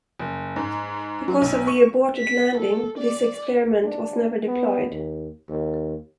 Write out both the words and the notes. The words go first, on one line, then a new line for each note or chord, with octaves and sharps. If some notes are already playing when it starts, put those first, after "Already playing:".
Because of the aborted landing, this experiment was never deployed.
F#1
G#2
F#3
B1
C#6
B6
A4
D5
D4
B3
D#2
D#2